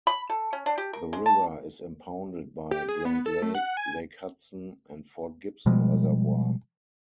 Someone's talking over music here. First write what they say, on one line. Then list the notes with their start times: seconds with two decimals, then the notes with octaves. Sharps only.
The river is impounded by Grand Lake, Lake Hudson, and Fort Gibson Reservoir.
0.07 B5
0.30 A4
0.53 C#4
0.66 D4
0.78 G4
0.93 A#4
1.13 G#3
1.26 A5
2.71 G4
2.89 G#4
3.05 B3
3.26 A4
3.42 A3
3.55 F#5
3.77 G#5
5.66 B2 F3 G3 G#3